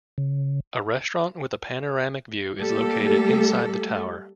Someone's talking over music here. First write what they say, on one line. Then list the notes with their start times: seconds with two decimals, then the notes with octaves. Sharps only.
A restaurant with a panoramic view is located inside the tower.
0.18 C#3
2.57 G3 A3 A#3 G4 A4